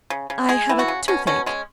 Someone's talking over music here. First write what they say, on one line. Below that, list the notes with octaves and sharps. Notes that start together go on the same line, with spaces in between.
I have a toothache.
C#3
C#3
G#3 G#4
E3
F#4
C#3
B2 C#4
B2 C#4
G#3 C#4